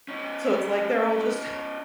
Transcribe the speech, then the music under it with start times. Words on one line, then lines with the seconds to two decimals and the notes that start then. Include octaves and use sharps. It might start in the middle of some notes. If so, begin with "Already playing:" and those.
So it's like they're all just
0.08 C#4 D#4